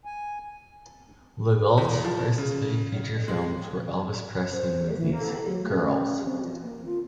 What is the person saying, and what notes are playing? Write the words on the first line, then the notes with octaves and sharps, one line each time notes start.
LeGault's first three feature films were Elvis Presley movies, Girls!
G#5
E2
F3
C#3
G#3
C5
E3
A4
F#3
C#4
C4
A#3
F4